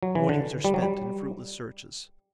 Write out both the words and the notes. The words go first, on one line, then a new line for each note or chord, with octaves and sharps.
Mornings are spent in fruitless searches.
F#3
E3
D3
G3
F#3
G3